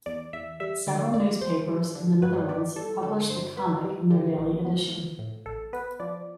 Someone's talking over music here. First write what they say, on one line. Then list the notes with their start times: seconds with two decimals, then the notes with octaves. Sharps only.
Several newspapers in the Netherlands publish the comic in their daily edition.
0.06 E2 D5
0.33 E2 E5
0.60 G3 E5
0.87 D3 D5
1.14 E2 D5
1.41 E2 C5
1.68 G3
1.95 D3
2.22 G2 B4
2.49 B3 D5
2.76 G3 A4
3.03 D3 A4
3.30 G2 C5
3.57 B3 B4
3.84 G3
4.11 D3 G4
4.38 A1
4.65 B3
4.92 F3
5.19 A2
5.46 A1 A4
5.73 B3 B4
6.00 F3 D5